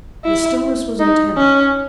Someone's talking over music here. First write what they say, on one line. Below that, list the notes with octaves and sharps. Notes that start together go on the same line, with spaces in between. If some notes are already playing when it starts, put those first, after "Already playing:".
The stillness was intense.
E4
D#4
C#4